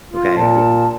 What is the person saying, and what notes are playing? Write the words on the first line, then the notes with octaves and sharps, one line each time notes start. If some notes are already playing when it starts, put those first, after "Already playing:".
okay? Y
F4
A#2 A5